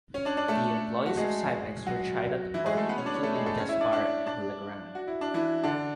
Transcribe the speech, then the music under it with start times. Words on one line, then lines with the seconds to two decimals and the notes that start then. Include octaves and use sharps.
The employees of Simex were tried at the court including Jaspar and Legrand.
0.14 C#4 C#5
0.25 D4 D5
0.37 D4 D5
0.48 A3 A4
1.06 F#4
1.17 G#3 G#4
1.86 F#3 F#4
2.54 E3 E4
2.66 G#3 G#4
2.77 A3 A4
2.89 B3 B4
2.98 C#4 C#5
3.06 D4 D5
3.14 C#4 C#5
3.23 A3 A4
3.34 G#3 G#4
3.46 A3 A4
3.57 C#4 C#5
3.69 E4 E5
3.81 D4 D5
3.92 D4 D5
4.27 D4 D5
4.95 F#4
5.07 E4
5.21 D4
5.34 E3 E4
5.63 D3 D4